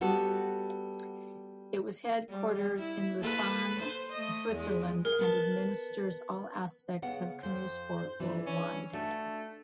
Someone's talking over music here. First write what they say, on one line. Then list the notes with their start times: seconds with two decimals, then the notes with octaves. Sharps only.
It is headquartered in Lausanne, Switzerland, and administers all aspects of canoe sport worldwide.
0.01 G3 B3 F#4 A4
2.29 G3
2.78 E4
3.18 A#3 A4 B4
3.80 C5
4.12 A3 D#5
4.51 E2 G#3
5.05 G#4 A#4
5.19 B3 A5
7.02 C#3 B3 F#5
7.43 F2 C5
8.20 E3 D4 B4
8.46 C#4
8.93 A3 D4 F#4